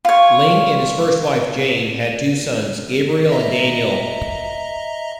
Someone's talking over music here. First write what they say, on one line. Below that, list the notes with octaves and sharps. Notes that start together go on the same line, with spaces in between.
Ling and his first wife, Jane, had two sons, Gabriel and Daniel.
F4 C#5
D#5 E5 A#5